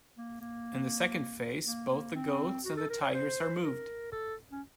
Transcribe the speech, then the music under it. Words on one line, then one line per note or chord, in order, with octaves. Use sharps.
In the second phase both the goats and the tigers are moved.
A#3
A#3
A#3
A#3
C4
F#4
A4
A#4
C#5
C5
A#4
A4
C#4